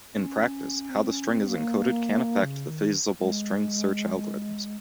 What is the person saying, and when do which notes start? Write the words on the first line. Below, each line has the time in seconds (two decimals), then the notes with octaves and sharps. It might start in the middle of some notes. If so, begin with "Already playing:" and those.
In practice, how the string is encoded can affect the feasible string search algorithms.
0.14 C#4
0.90 C4
1.09 C#4
1.29 C4
1.48 A#3
2.43 C#3
2.68 D#3
3.20 G#3